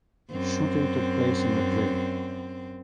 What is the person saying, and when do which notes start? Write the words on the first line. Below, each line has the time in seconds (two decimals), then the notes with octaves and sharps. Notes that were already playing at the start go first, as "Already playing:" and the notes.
Shooting took place in Madrid.
0.32 F#2 C4